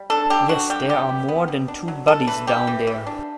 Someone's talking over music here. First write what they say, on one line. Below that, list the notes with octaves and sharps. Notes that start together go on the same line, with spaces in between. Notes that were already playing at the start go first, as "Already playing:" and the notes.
Yes, there are more than two bodies down there.
Already playing: G3
D4 A4
D3 G4
D3 F#4
G3 G4
F#3 G4
B3
B3
B2
D4
F#3
D4 A4
E3 B4
E3 G4
E3
E3
D4